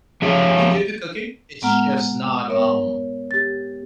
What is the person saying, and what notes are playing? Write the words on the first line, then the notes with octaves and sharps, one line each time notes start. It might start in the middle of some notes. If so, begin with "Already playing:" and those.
We do the cooking. It's just not, um
C#3 F3 G4 E5
A2 G#3 B3 F#5 A#5 F6
B3 A#4 C#5
G4 A6